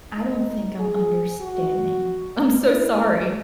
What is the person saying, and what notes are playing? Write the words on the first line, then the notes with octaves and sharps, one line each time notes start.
I don't think I'm understanding. I'm so sorry.
D#4
G#4
F#4
E4